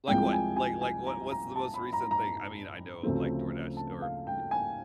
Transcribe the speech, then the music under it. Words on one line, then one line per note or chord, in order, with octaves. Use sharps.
Like what? Like like, what what's the most recent thing? I mean, I know, like, DoorDash or, y
C2 C3 F3 G#3 G5
G#5
G#5
G#5
A#5
A#5
A5
B5
A#5
A#5
D2 C#3 F3 A3 C4
A5
F5
G5
G#5